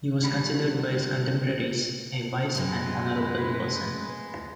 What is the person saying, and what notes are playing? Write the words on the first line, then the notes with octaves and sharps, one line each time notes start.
He was considered by his contemporaries a wise and honorable person.
D3 G3 D4 B5
F#2 C3 G#3 B4